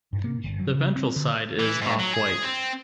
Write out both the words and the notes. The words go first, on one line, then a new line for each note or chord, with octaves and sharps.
The ventral side is off-white.
G2
A#3
G1
F#3
C#3
C4
D3
E3
G#2
F#3
G#4
C4